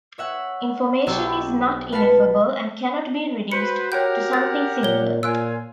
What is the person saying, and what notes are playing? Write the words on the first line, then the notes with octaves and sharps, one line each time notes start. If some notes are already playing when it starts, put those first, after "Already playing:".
Information is not "ineffable" and cannot be reduced to something simpler.
C#5 E5 F#5
B1 F#4 G4 C5 E6
B4 F5 A5 B6 C#7
F#4 B4 C5 C#7
G4 A#4 C#5 F#5 G5 G6
A6
A#2 C#5 G7
A#2 F4 G#5 E6 F#6 D7